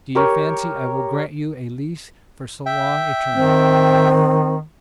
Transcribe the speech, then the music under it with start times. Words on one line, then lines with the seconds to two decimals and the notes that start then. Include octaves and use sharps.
Do you fancy I will grant you a lease for so long a term?
0.15 G4 A#4 C#5
2.66 E5 G5
3.34 D#3 C4